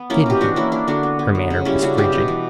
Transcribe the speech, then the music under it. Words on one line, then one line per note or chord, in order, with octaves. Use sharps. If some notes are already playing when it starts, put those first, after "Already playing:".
"Did he?" Her manner was frigid.
Already playing: B3
A#3 C#4 E4
B2 G4
E3 D4 F#4
A#3 C#4 E4
A#3 D4
D3 D4 F#4
B3
B3
F#3
C#3
G3 C#4 E4
C#3 D4 F#4
B2 E4 G4
B2
E3